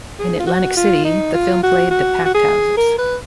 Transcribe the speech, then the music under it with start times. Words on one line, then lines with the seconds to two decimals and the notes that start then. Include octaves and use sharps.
In Atlantic City, the film played to packed houses.
0.19 G#4
0.39 F4
0.47 F#4
0.77 F4
1.04 D#4
1.34 F4
1.63 F#4
1.91 F#4
2.25 F#4
2.34 G#4
2.77 A#4
2.98 B4